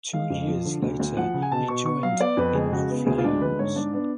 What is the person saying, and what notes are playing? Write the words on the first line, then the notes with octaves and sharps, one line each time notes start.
Two years later he joined In Flames.
G#3 F5
F2
F3
D3
D2
D2
F3 F#5
C#3
G#5
B2 A5
B2 C#6
B3 C#6
F#3 F5
B3 D5
F2 B4
G#3 G#4
C#3 F#4
B3
D2 G#4
F4
G#3 D4
D3 B4
G#2 C#5
G#2 D4
B3 D4